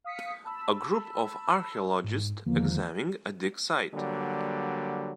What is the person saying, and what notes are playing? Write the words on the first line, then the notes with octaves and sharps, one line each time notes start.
A group of archaeologists examining a dig site.
F5 D#6 B6 C#7
A5 B5 E6
G#2
E2 D3 D#3 F3 A#3
D3 F#3 G3 A#3